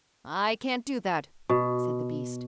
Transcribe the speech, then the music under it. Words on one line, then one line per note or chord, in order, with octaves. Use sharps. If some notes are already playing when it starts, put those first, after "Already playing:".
"I can't do that," said the beast.
B2